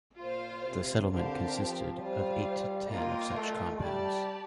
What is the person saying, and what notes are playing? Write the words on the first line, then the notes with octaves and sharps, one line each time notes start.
The settlement consisted of eight to ten of such compounds.
A#2 F4 C5 F5
C3
D3 C4 G4 A#4 F5 A5
F3
G3 F4 C5 F5
A#3 F4 A#4 D#5 G5
A3
G3 G4 D5 A5